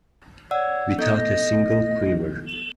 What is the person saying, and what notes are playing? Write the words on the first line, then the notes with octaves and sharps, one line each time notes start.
Without a single quiver.
C#5 D5 F#5 E6
B3 D#4 A4 G6
D#5